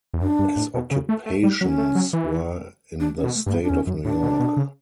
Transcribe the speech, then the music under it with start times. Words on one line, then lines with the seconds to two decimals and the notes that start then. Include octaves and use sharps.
His occupations were in the State of New York.
0.14 E2
0.21 F#2 D4
0.39 G2
0.56 A2
0.74 B2
0.91 C#3
1.09 A3
1.26 A3
1.43 G3
1.61 F#3 C#4
1.78 A3
1.95 F#3
2.13 E3
3.00 D4
3.17 C#4
3.23 B2
3.35 A3
3.46 G2 A3
3.53 B3
3.63 D4
3.69 E2 C#4
3.87 F#2
4.05 A2 D4
4.23 B2
4.40 B2
4.57 C#3